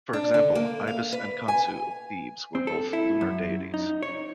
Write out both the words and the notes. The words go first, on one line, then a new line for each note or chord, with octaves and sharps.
For example, Ibis and Chonsu of Thebes were both lunar deities.
D4
D3
A#3
F5
B4
G#5
C4
A4
E4
F#2
D#4
C#5